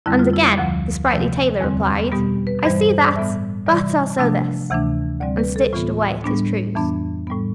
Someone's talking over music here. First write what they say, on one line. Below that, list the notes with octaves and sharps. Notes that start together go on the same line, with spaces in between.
And again the sprightly tailor replied: "I see that, but I'll sew this!" and stitched away at his trews.
F2 D3 G3 C4 E4
F4
E4
D2 D3 F3
C3 F3 A3
E2 D3 G3 C4
B2 G3 B3 G4
B4
G2 E3 G3 C5
C5
D5
A2 G3 B3 E5
C3 E3 G3 D5
C3 F3 A3 D4
D2 C3 E3 A3 D4
D2 D3 G3 C4 D5
B4
A4
A2 E3 B3 F4
A2 G3 B3 D4
F2 E3 B3 D4
A2 G3 B3